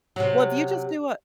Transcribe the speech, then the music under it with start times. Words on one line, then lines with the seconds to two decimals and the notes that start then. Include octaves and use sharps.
Well, if you just do a
0.16 C3 F#3